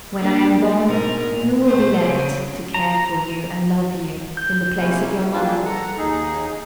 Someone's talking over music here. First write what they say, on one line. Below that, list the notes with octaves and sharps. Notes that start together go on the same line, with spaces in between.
When I am gone, who will be left to care for you and love you, in the place of your mother?
A#3 D4
G#2 B2 A#4
A#2
A#2 A3 C5
C#3 F#3
A#5
G6
C3 G#3 A#3 C#4 E4
E3 F#3 G#3 A#3 D4 F4
A4 F#5 A#5
D#2 D#4 G#4